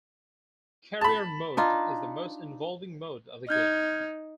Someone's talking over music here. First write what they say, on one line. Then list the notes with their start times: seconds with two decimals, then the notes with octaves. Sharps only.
Career Mode is the most involving mode of the game.
1.01 A5 B5
1.57 D4 D#4 F4
3.49 D#4 F6 G6 G#6